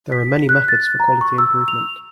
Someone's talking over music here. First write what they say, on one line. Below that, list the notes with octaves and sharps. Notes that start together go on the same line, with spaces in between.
There are many methods for quality improvement.
B6
F#6
A6
A#5
C#6
E6
F7